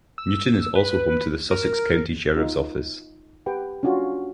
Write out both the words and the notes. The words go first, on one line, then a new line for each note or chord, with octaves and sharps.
Newton is also home to the Sussex County Sheriff's Office.
E6
B4
A#4
D#4 F4
G4 B4 F#5 G5
C#4 D4 F4 F#4 C#5